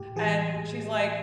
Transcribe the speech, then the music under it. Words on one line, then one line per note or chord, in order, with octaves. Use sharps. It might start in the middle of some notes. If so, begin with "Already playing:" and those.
and she's like,
Already playing: A2 G4
E3 G#4
A2